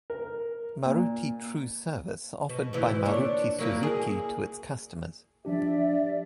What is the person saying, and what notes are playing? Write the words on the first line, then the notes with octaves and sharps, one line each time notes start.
Maruti True service offered by Maruti Suzuki to its customers.
A#4
A#2
B2
D2 G#2 E3
A#2 D4 C#5
F#3 A#3 E4
G#4
F3 D4 G4 D5 E5